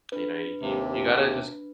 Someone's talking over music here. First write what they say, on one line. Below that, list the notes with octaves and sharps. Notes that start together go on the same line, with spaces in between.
you know, you you gotta just
D4 B4
D#2 C3